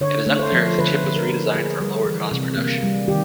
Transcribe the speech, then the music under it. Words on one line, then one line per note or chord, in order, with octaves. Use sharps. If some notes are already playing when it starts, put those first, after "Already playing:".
It is unclear if the chip was redesigned for lower-cost production.
D3 C#5
A3
C5
F3
D3 B4
D3
A#4
A3
A#3 G#4
G3
E3
C3
A#3
G3
D#3 G4